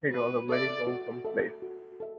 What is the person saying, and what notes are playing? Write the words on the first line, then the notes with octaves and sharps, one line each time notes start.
It was a very lonesome place.
F#4 B4
A4 D5 E5
F#4
A4 E5
F#4
A4 E5